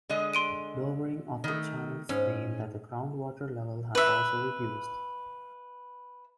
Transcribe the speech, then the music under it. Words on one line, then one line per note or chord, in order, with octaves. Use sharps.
Lowering of the channels means that the ground water level has also reduced.
D3 G#3 D#5
C6 D7 D#7
D#3 A3
G#2 C#4
B4 E5